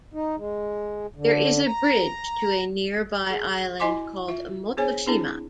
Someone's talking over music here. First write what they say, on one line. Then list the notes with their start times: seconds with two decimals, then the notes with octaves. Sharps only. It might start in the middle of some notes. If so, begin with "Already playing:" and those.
There is a bridge to a nearby island called Motoshima.
0.13 D#4
0.36 G#3
1.16 D3
1.67 A#5
3.30 G#4
3.80 E4 F#4 D#5 G#5 C6 D6
4.28 F4 E5
4.77 B3 D4 G#4 C5 C#5 G#5
5.06 C4 D4 E4 G#4